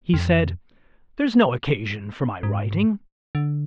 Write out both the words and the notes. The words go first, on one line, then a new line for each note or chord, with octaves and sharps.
He said, 'There's no occasion for my writing.
F2
G#2
D3